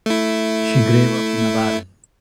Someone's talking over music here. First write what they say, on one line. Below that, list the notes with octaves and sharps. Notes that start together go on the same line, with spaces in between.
She grew up in Ibadan.
A3 E4